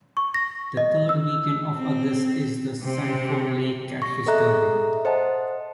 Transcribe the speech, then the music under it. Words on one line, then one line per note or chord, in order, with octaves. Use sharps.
The third weekend of August, is the Sanford Lake Catfish Derby.
C#6
A#6
D#5
E6
C4
C3
C#6 A#6
G#4 A4 D#5 E5 A#5 F#6
C5 D#5 F#5 A5